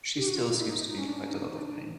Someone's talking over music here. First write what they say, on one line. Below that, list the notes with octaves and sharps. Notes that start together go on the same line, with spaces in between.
She still seems to be in quite a lot of pain.
G4
F#4
F4
F4
E4
D#4
D#4
D#4
C#4
D4
C#4
D#4
D4
D#4
D4
D4
D#4